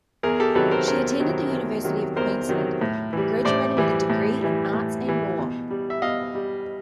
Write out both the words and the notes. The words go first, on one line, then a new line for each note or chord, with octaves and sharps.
She attended the University of Queensland, graduating with a degree in arts and law.
E2 G#4 A#4
G4 A4
C3 D#3 F#3 A4 B4
A#4 C5
E2 A#4 C5
C3 D#3 F#3
E2
C3 D#3 F#3
E2 A#4 C5
C3 D#3 F#3
A2
E3 G3
A2 C5 D5
E3 G3
A2
E3 G3
A2
E3 G3
B2
G3
E5
B2 D#5 F5
G3